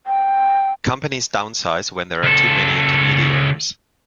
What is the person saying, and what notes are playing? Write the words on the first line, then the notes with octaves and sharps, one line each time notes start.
Companies downsize when there are too many intermediaries.
G5
C#2 A4